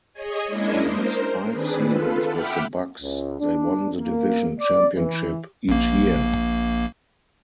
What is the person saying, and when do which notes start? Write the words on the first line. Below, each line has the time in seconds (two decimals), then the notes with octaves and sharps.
In his five seasons with the Bucks, they won the division championship each year.
0.13 G#4 C#5 D#5 G#5
0.47 G#3 A#3 C#4 D4 E4 D#5
0.82 A#4 C5
1.50 D#3 C4 D4 G#4 B4
1.84 F4 A4 B4
2.27 E5 F#5 G5 B5 D6 F6
3.01 C#2
3.40 D4
3.99 A#3
4.59 D5
4.95 E3
5.69 A#1 A#3